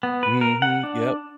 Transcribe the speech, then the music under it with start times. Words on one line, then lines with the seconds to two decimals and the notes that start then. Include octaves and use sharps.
Mhm, yep.
0.03 B3
0.23 B4
0.41 A#4
0.62 F#5
0.83 D4